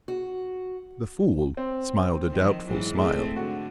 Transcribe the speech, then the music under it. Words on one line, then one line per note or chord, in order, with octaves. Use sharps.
The Fool smiled a doubtful smile.
F#4
C4
D#3 F3
G#2 E3 F#3
G#3 A3 C4
D3 F#4